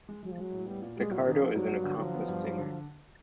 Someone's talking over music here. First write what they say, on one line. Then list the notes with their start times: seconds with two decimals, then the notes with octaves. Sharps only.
Picardo is an accomplished singer.
0.09 G#3
0.23 F#3 G#3
0.32 F3
0.38 F#3 G#3
0.52 A2
0.67 G3 B3
0.82 A#2
0.96 G3 G#3
1.11 A#2 F#3
1.18 D3
1.25 D#3 D4
1.41 F3 B3
1.55 G2 F#3
1.69 B3
1.84 D3
1.99 F3 F#3
2.14 B3
2.28 G2
2.44 F#3
2.58 D3